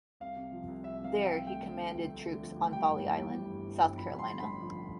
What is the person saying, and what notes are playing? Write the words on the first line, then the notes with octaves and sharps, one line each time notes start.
There he commanded troops on Folly Island, South Carolina.
C2 F5
C3
F3
C2
C2 E5
C3
F5
F3
G5
C2
A3 G5
D3
F3
D2
A3
D3
F3
D2
G3 G5
G2
E3
G1
G3
G2
E3
G1
F3 B5
G2
C6
D3
A1 B5
F3